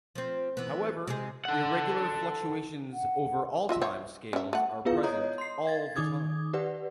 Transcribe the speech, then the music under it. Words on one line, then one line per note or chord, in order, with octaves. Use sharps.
However, irregular fluctuations over all time scales are present all the time.
F3 C4
E3 B3
C3 G#3 G#4
A4 F#5
F#5
F4 D#5 E5
C5 C#5 E5
C#4 E5
A3 F#5
B3 E4 F4 G#4 B4 F5
C#5 D#5 A#5 D#6 G6
C6 C7
F5 G#6 A6
D#3 D#4 D6 D#6 G#6
G4 B4 D5 F#5